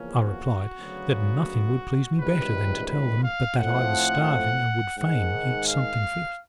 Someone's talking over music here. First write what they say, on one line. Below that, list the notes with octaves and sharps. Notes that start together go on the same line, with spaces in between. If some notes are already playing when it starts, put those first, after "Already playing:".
I replied that nothing would please me better than to tell them, but that I was starving, and would fain eat something first.
Already playing: E2 C#3 F3 A#3 C#4
F#4
D2 C#3 F#3 B3
C#2 C3 D#3 G3 B4
B4
F5
A2 F3 A3 C4 F#5
G#2 D#3 G#3 F#5
F5